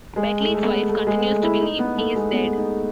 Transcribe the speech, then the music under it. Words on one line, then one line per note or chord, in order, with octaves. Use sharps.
Beckley's wife continues to believe he is dead.
G#3
A3
A3
B3
A3
G#3
E4
D#4
B3
A3
G#3
B3
D#4